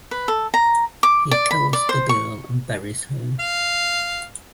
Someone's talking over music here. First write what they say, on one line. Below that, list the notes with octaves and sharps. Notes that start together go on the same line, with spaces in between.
He kills the girl and buries her.
B4
A4
A#5
D6
D5
B5
D5
C5
C#6
F5